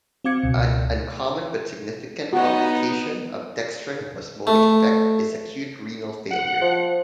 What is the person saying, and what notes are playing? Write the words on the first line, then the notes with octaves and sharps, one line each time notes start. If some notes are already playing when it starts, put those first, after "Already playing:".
An uncommon but significant complication of dextran osmotic effect is acute renal failure.
C4 F#4 F5 D6 G#6 C#7
C#2 B2 C#7
B3 D#4 F#4
A3
F#5
F3